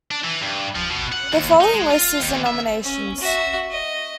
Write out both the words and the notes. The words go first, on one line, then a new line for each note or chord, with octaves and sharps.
The following list is the nominations.
D4
E3
G2
F3
B2
F#5
D#2
D#4
G#3
F4
D#2
E5
C#4
F#4 E5
D#5